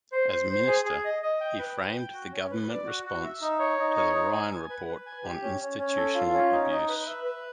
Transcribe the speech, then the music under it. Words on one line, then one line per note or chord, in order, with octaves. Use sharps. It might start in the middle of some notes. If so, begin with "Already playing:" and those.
As Minister, he framed the Government response to the Ryan Report on Institutional Abuse.
C5
C5
C5
G#4
G#4
D#5
D#5
G5
B4
G5
G5
F#4
C#4
B4
D5
F#4
F#4
E5
D#4
C#5
D#4
C#5
D#4
G#5
G#5
B4
B4
G#5
G4
C#4
C#4
C#4
A4
F4
C#4
D#4
D#4
B4
E5
B4